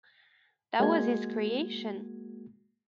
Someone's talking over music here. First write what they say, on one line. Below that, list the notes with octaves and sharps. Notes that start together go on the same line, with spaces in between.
That was his creation.
G#3 A#3 F#4 G#6